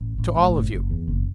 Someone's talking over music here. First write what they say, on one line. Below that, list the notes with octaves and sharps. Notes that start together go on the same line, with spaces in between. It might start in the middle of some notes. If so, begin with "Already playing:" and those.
To all of you.
A1
A1
A2
F#1
F#1
E2
F#1